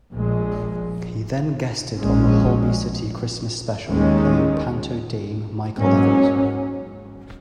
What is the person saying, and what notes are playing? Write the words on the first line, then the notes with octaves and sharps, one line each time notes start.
He then guested on the Holby City Christmas Special, playing panto dame Michael Evans.
A#1 A#2 G#3
A#1 A#2 G#3 C#4
D#2 D#3 G#3 C#4
G#2 F#3 A#3 C#4